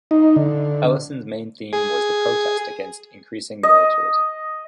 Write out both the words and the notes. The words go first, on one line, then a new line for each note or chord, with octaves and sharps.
Ellison's main theme was the protest against increasing militarism.
D#4
D3
G#4
D#5